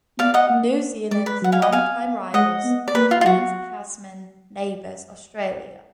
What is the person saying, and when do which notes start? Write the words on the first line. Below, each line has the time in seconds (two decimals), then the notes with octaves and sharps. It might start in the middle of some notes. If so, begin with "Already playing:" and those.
New Zealand's long time rivals are Trans-Tasman neighbors Australia.
0.19 B3 D5 F5
0.34 D#5 F#5
0.50 A#3
1.11 G#3 D5
1.26 B4
1.42 F#3 F#5
1.52 F5 G#5
1.62 D#5 F#5
1.72 F5 G#5
2.34 G#3 D#5 F#5
2.64 B3
2.88 D5
2.95 A#3 B4
3.11 F4
3.21 F4
3.25 F#3 F#4